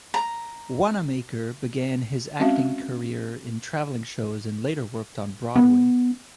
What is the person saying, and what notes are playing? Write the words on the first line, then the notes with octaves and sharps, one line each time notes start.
Wanamaker began his acting career in traveling shows and later worked on Broadway.
A#5
G#3 C4 C#4 F#4 E5 F5
B3